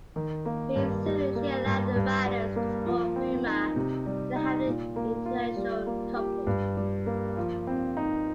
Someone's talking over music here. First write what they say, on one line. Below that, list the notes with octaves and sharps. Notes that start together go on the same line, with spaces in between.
Being Zulu, she allowed the writers to explore humour in having an interracial couple.
D#3
A#3
G2
G3
A#3
G2
G2
G3
A#3
F3
C4
D#4
C3
G3
D#4
A#2
A#3
F4
G3
A#3
G4
G2
G3
A#3
F3
C4
D#4